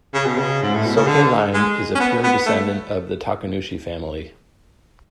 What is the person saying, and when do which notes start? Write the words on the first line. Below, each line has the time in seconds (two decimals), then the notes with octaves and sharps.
Soke line is a pure descendant of the Takenouchi family.
0.14 C#3
0.26 B2
0.38 C#3
0.63 G#2
0.75 A2
0.86 B2
0.96 C#3
1.07 D3
1.54 G#3
1.95 C#4
2.00 B3
2.24 B3
2.46 A3